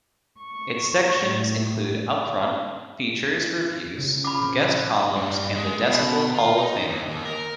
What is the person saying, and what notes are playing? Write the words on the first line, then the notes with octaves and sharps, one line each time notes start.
Its sections include Upfront, Features, Reviews, Guest Columns and the Decibel Hall of Fame.
C#6
A2
C#3
F4 B5 D6
A#2 F3 C4
A#5 E6 F#6
G2
G#3
B2
F4
D#4
D#2
D#2
A#4